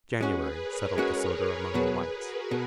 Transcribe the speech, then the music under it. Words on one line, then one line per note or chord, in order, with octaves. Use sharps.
January settled disorder among the whites.
G#3 C#4 F#4 G#4 B4
A#4 C#5
G#3 C#4 F#4
B2 F#3 B3 G#4 B4
F#4 A#4
B2